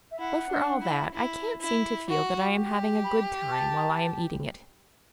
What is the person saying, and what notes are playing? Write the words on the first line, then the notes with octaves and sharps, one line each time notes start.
But for all that I can't seem to feel that I am having a good time while I am eating it.
E5
E4 F#5
D4
E4
E4
E4
F#4
G4
B5
A5